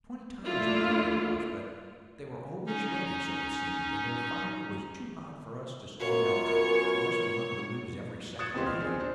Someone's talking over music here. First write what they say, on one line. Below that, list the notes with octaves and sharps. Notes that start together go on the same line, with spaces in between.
Twenty times we tried a rush, but they were always ready--so it seemed--and their fire was too hot for us to stand up to, unless we wanted to lose every second man.
A3 A#3 D4 E4 F4
C#4 D#4
F#2 B3 F4 A#4 C#5
D#6 F#6 G#6 A6 C#7 E7
C#2 B3 C4 G4 D#5 C6
F6
C4 G#4
D4 C5